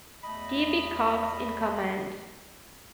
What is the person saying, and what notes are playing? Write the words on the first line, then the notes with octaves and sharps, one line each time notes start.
D. V. Cox in command.
E2 A3 D#5 B5